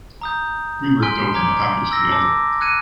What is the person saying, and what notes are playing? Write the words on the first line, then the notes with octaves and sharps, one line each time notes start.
We ripped open the package together.
A#5 D#6 G6
G#5 C6 F6 B6 D7 G7
A#5 D6 F6 G#6 D7
E6 A#6
A5 D6
F6 F#6 G#6 C#7 D#7